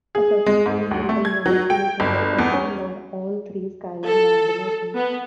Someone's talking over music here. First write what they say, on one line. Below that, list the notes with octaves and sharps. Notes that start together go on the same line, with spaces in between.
A set of core medical investigations were performed on all three Skylab manned missions.
G#4
G#3
G#2
D2
A3
G#6
F#3
G5
G1
E2
C#4
A4
B3